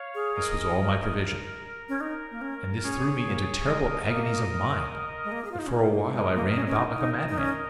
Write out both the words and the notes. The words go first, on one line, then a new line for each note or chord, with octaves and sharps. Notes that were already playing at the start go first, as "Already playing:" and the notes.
This was all my provision; and this threw me into terrible agonies of mind, that for a while I ran about like a madman.
Already playing: C#5 F5
G#4
A#4 D#5
A#4
C#4
D#4 A#4
A#3
C#4
C#4 G#4 C#5
A#3
G#3 A#4 D#5
A#3
G#3
A#3
G#4
F4
D#4
C#4
A#3
G#3 A#4 D#5
A#3
C#4
C#4
D#4
D#4
D#4
C#4